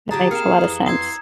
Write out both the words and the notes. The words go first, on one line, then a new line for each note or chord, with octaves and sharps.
That makes a lotta sense.
D3 F#3 G4 G#4 A5 A#5
A#3 C4 F5 C#7 E7
F2 E3
C6 D#6 E6 G#6